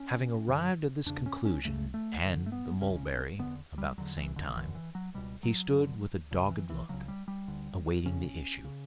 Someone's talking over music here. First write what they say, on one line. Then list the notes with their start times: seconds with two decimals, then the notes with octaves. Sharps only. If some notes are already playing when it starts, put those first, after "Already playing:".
Having arrived at this conclusion and the "mulberry" about the same time, he stood with a dogged look, awaiting the issue.
Already playing: C#4
0.48 F#2 D3
1.06 E2 C#3 D4
1.26 C#4
1.45 C#4
1.64 F#2 C#3 A3
1.94 A3
2.22 F#2 D3
2.46 A3
2.52 B3
2.81 C#2 C#3 C#4
3.39 E2 D3 B3
3.78 G3
3.98 E2 D3 F#3
4.17 E3
4.36 D3
4.56 F#2 D3 E3
4.75 E3
4.95 F#3
5.14 C#2 B2 G3
5.43 F#3
5.73 F#2 D3
6.31 C#2 C#3
6.50 E3
6.70 E3
6.89 C#2 C#3 F#3
7.08 G3
7.28 G3
7.47 D2 D3
8.05 E2 C#3 C#4
8.65 C#3